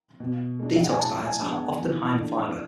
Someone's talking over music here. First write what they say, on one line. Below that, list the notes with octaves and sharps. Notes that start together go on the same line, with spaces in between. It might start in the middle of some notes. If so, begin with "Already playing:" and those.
Detox diets are often high in fiber.
B2
G#3 D4
E5
F#5
G#5
A2 A5
G#5
G#3 B3 D4
F#5
E3
A3 D4